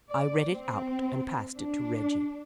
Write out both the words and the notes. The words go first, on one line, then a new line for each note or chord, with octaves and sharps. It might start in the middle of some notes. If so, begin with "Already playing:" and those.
I read it out and passed it to Reggie.
D5
C4
D4